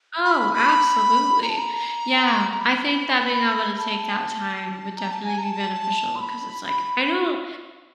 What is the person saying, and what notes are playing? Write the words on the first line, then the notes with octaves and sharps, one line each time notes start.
Oh, absolutely! Yeah, I think that being able to take that time would definitely be beneficial, 'cause it's like, I don't
B5
B5
A#5
A5
A#5
A#5
B5
A5
A#5
A5
G#5
A#5
A5
C6
B5